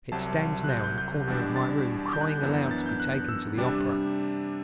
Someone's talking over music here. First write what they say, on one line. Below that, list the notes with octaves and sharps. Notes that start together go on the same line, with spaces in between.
It stands now in a corner of my room crying aloud to be taken to the opera.
C2 C3 F#3 A5
F#6
G6
G6
G6
E2 B2 G3 D4
A6
G6
F#6
G6
F#2 E3 B3 D4
A6
G6
F#6
E6
C3 G3 D4